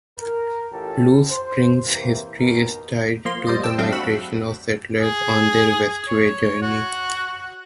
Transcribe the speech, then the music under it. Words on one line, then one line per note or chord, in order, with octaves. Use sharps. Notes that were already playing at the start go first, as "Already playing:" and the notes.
Blue Springs' history is tied to the migration of settlers on their westward journey.
A#4
A1 E3 C#4 F4 G4 A4
C5
C3 E3 A#3
D#2 B2 A#4
F3 A#3 C6
G3 C5 D5 D#5
G5 A5 E6
F#3 A3 C4 D4 F5
F#4 F#5 B5 E6
G#4
C#5
F#4